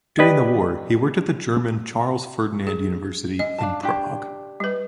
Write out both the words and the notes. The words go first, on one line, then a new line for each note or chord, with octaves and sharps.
During the War, he worked at the German Charles-Ferdinand University in Prague.
G4 B4 D5 D#5
G#4
D#5
D4 F5 A5
D4 G4
G3 B4